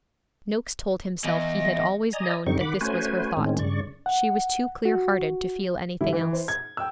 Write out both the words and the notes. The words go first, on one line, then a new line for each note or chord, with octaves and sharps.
Noakes told himself he had always known that this was her thought; she was too clear-hearted to feel anything else.
E2 D#5
D5 D#5 G#5 A#5 D#6
F#2 D3 G3 C4 D#4 C#6
D#3 F#5 B5 D6
A3 C#4 F#4 B4 C5 G#5
A2 D#3 G#3 C4 C#4
G2 C#3 D5 C#6
F#5
F#4
D3 G3 E4
E3
C5
G#6
G5 E6